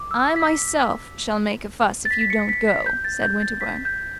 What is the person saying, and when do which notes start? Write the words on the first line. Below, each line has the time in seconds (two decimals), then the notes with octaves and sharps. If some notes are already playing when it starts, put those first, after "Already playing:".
"I myself shall make a fuss if you don't go," said Winterbourne.
Already playing: D6
0.11 E6
0.36 B6
2.05 A6
2.11 B6
2.21 B6
2.30 C#7
2.49 B6
2.67 B6
2.86 G6
3.04 A6
3.23 G6
3.42 A6
3.61 B6
3.85 G6